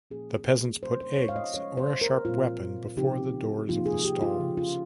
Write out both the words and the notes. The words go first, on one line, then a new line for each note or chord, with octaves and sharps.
The peasants put eggs or a sharp weapon before the doors of the stalls.
A#2 F3 A#3 C#4 G#4
C#3 G3 A#3 C#4 C5
C5
C#5
F5
D#5
F3 G#3 C#4 C#5
C5
A#4
A#2 G3 C4 F4
C#3 F3 C4 D#4 G4
C3 F3 A#3 D#4 F4
G#4
G4
F4
C#3 F3 A#3
F4